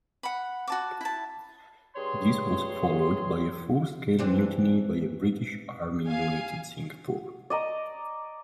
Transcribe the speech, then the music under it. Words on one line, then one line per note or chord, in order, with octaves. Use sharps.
This was followed by a full-scale mutiny by a British Army unit in Singapore.
F#5 B5
F#4 A5 D6
E4 A5
G2 G#4 C#5 C6
E3 C4 D4
F5 G#5
D5 D#5 A#5